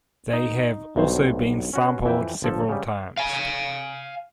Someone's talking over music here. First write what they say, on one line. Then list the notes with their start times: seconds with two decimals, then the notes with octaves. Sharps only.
They have also been sampled several times.
0.33 D#4
0.96 B1 G2 F#3 C5
1.73 C#4 F#4 B4
2.04 F2 E3 E5 G5
2.42 G1 F3 A4
2.69 C#3 G3
3.17 F5 G#5